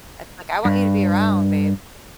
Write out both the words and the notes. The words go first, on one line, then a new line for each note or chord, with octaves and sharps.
Uh like, "I want you to be around, babe."
G2